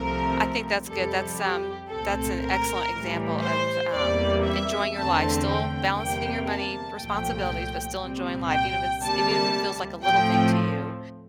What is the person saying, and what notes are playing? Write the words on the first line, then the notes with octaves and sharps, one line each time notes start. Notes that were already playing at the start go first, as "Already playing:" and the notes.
I think that's good, that's, um, that's an excellent example of, um, enjoying your life, still balancing your money, responsibilities, but still enjoying life, even if it's even if it feels like a little thing to you,
Already playing: C2 C3 F3 A3 C4 A#4
F2 C3 G3 A4
G4
C2 A#2 A3 C4 A4
A#4
A2 E3 G3
C5
E2 C3 G3 A#3 D5
E5
E2 D3 A3 C4 A5
G5
E2 C3 G3 A#3 G5
A5
C2 A#2 F3 A3 G5
C2 A#2 G3 C4
G5
D2 C3 G3 A#3 A5
A2 F3 A3 C4 G5